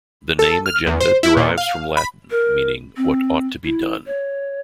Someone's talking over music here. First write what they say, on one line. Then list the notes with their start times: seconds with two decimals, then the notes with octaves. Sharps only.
The name Agenda derives from Latin meaning "what ought to be done".
0.39 A4
0.66 F6
0.87 E2
1.00 C5
1.23 E4
1.37 A#2
1.58 F5
1.97 B5
2.31 A#4
2.97 C4
3.64 E4
4.06 C#5